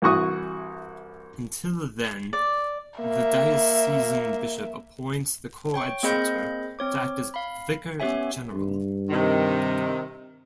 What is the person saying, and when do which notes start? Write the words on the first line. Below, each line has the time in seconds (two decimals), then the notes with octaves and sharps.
Until then, the diocesan bishop appoints the coadjutor to act as vicar general.
0.02 C2 E3 F#4 C#6 D#6
2.33 D5
3.00 A#3 E5
5.74 C#5 G5 C#6
6.03 A#3 C4 G#4 D#5 B5 G6
6.79 C4 C#5 D6
7.34 F5 B5
8.00 B3 C#4 G4 C#5 E5 G#5
8.54 G2
9.10 C3 D#3